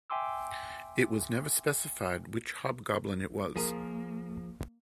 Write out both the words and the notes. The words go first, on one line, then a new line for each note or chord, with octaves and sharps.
It was never specified which Hobgoblin it was.
E5 G5 G#5 C6 D6 E6
F3 A#3 G#4 A#4